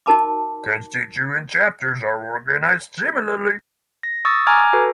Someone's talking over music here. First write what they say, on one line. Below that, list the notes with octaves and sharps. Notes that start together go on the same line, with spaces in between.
Constituent chapters are organized similarly.
D#4 F#4 A#4 A5 B5 D6
A#6
C#6 D#6 E6 A6
G#5 A#5 D6 F6 G#6
F#4 A4 B4